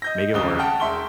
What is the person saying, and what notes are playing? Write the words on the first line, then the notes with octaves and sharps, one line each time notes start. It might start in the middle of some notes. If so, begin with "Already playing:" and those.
make it work."
D#5 G6 A#6
D#1 G#1 C#2 C#3 D#6 G7
F#5 G5 A5 F6
E1 E5 C6 C#6 G7